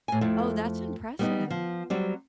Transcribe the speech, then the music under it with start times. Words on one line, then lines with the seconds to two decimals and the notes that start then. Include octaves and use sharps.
Oh, that's impressive.
0.08 A2 G#5
0.21 F2 A3 E4
1.19 G3 B3 D#4
1.50 F3
1.90 F#3 G3 C4